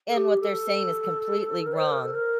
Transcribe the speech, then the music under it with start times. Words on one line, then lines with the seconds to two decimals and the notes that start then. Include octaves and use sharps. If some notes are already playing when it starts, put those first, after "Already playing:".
And what they're saying is completely wrong
0.09 A4
0.16 G4
0.41 A4
1.66 A#4
1.73 D5
1.78 C5
1.91 A#4
2.03 A4
2.15 A#4